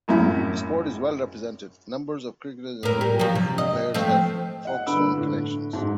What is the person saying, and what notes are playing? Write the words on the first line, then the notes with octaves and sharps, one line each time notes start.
Sport is well represented: numbers of cricketers and football players have Folkestone connections.
G#1 F#2 A2 E4
A2 A#4
G3
F3 F#3
C3
D#5
F3 A3 C4
D#5 F#5
G2 D3 B4 B5 E6 D7
A2 D3
G#2 F#3